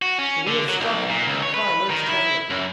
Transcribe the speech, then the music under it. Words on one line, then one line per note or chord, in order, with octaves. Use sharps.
The wheels struck it, and the car lurched heavily....
F#4
C#4
D3
F#3
B1
A#2
C#2
C#5
B4
D#3
E4
F#2